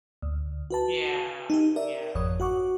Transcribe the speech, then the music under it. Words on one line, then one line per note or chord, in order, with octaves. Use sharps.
Yeah. Yeah.
D2
F#4 B4 A5
D#4 G4
A#4 D5 E5
G#1 F2 C#5 D#6
F#4 F#5 C#6 D6